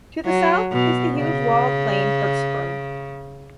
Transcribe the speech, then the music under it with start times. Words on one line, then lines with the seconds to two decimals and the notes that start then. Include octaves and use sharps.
To the south is the huge walled plain Hertzsprung.
0.26 F#3
0.72 B2
1.17 C#3